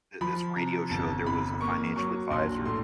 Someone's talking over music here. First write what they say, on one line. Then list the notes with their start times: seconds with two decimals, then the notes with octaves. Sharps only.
th this radio show; there was a financial advisor
0.21 F3 B5
0.56 C3 A#5
0.90 G1 A5
1.25 F2 B5
1.61 A#3 C#6
1.96 F#3 C#6
2.31 A#1 C6
2.65 A2 C6